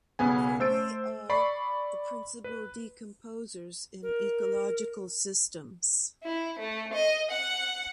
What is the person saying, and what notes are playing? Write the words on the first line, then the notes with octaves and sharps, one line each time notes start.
Fungi are the principal decomposers in ecological systems.
B1 C#3 B3 G#5
A3 C5 E6 A6 D7
D5 B5 C#6 C7
B4
A#4
E4
A3
D#5
F#5